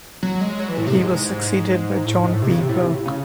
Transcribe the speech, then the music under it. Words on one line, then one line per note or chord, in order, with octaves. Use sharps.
He was succeeded by John P. Burke.
F#3
G#3
F#3
E3
A2
C3
G#2
A2
G#2
A2
C3
C#3
C3
A2
C3
A2
C#3